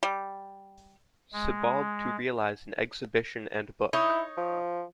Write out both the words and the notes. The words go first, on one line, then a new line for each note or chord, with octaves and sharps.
Sebald to realise an exhibition and book.
G3
G#3
D#4 E4 C#5
F3